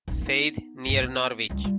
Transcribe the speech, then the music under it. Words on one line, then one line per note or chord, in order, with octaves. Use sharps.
Faith, near Norwich.
D#1 A#1
B3 D#4
B1 G2
B3
C#2 G3
G3 F4